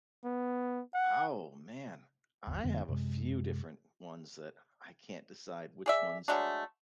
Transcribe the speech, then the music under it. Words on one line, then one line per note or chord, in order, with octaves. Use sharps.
Oh man, I have a few different ones that I can't decide which one's
B3
F#5
G1 D#2
F#1 F2 D3 B3
F#2 C3 G#3
G#4 D5 E5
F#3 G#3 A3 D4